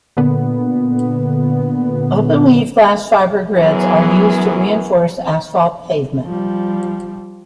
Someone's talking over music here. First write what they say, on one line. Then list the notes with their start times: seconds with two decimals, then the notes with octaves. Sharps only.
Open-weave glass fiber grids are used to reinforce asphalt pavement.
0.17 A#2 D3 B3
3.55 F#2 E3 F#3 B3 G#4
6.26 F3 G3